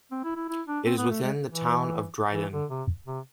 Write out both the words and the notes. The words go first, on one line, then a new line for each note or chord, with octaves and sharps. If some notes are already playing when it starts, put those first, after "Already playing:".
It is within the Town of Dryden.
C4
E4
E4
E4
D4
C4
B3
A3
G#3
E3
E3
D3
C3
C3